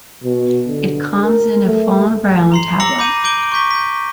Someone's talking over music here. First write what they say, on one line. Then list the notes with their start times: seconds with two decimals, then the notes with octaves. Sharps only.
It comes in a fawn brown tablet.
0.23 B2
0.67 D3
1.23 A#4
1.65 A3
2.52 A#5 C6 C7
2.80 A#5 D6 E6 A#6 C#7 F#7
2.98 B5 D6 G6 D#7
3.24 D6 G6 D7 G7
3.52 C#6 D6 G6 B6 G7
3.71 G6 B6